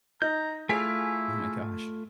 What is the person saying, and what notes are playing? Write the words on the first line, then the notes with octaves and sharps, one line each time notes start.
Oh my gosh.
D#4 A#5 G6
A3 E4 F4 G#4 F5 B6 D7